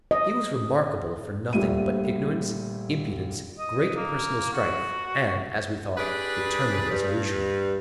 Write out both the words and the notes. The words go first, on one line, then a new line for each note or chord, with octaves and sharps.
He was remarkable for nothing but ignorance, impudence, great personal strength, and, as we thought, determined resolution.
D#5
A#1 A#2 G3 A3 D#7
D#5
A#3
F#4
D4 G4 G#4 B4
G2